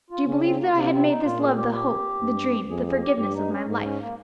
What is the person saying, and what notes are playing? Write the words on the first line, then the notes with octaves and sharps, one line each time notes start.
"Do you believe that I had made this love the hope, the dream, the forgiveness--of my life?"
F4
C#3 C#4
C4
A#3
C3 A#3
C4
D#4
A#2 F4
G#4
G4
G4
G2
F2 G#4
G#4
G4
G2 G4
D#4
C#4
G#2
C#4
A#3